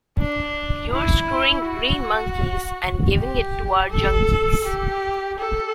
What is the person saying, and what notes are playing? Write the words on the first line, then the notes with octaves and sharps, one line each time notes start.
You're screwing green monkeys and giving it to our junkies.
D4
E4
F#4
G4
A4
G4
A4